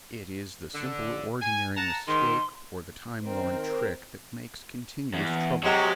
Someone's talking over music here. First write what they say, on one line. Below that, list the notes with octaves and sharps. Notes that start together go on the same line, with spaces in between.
It is the simple, ordinary mistake or the time-worn trick that makes continuous trouble.
D3
G#5
F#5 A5 A#5
G#2 D#3 C6
D#3 C4 A#4 C5
E2
C3 F#3 G#3 F#4